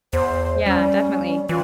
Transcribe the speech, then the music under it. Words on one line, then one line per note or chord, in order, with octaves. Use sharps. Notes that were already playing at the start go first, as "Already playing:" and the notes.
Yeah, definitely,
E2 C5
G3 C#4
E3 F4